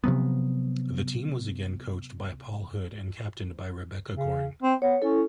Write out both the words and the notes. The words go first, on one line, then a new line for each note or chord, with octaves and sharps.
The team was again coached by Paul Hood and captained by Rebecca Goring.
C3 F3 F#3 B3
C#3
C4
B3 C#5
C#4 E4 A4